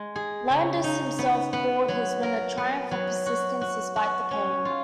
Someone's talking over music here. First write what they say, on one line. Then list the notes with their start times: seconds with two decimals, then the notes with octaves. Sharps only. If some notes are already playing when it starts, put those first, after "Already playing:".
Landis himself called his win "a triumph of persistence" despite the pain.
Already playing: G#3
0.16 G#4
0.50 C#3
0.84 D#4
1.19 B3
1.53 B3
1.88 F#3
2.23 A#4
2.57 B3
2.91 F#3
3.26 F#4
3.61 F#4
3.96 F#4
4.31 C#4
4.65 F4